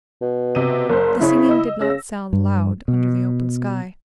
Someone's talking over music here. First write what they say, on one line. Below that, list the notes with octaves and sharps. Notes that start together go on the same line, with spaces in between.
The singing did not sound loud under the open sky.
B2
C3 D#5 D#7
F#1 A#4 C5
C#3 E4 C#5
D#5 E6
C#3 E6 A#6
G2
B2